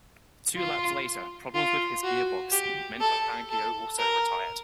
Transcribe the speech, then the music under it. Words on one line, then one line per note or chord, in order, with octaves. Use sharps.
Two laps later, problems with his gearbox meant that Fangio also retired.
F4
F4
F#4
G4
A4
A4
A#4